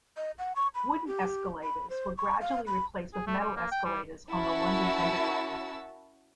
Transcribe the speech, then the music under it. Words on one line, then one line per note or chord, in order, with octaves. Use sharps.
Wooden escalators were gradually replaced with metal escalators on the London Underground.
D#5
F#5
C#6
B5
G4
B5
C5
C#6
F5
B5
G#4
A3
G3
A#3
G5
G3
C#4 E4 F#4 A#4 A5 E6